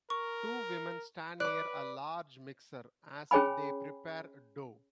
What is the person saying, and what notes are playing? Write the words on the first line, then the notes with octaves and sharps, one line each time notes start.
Two women stand near a large mixer as they prepare dough.
A#4 C#6
B4 D5 D6 F#6
C#4 G#4 C#5 G5 G#5 B5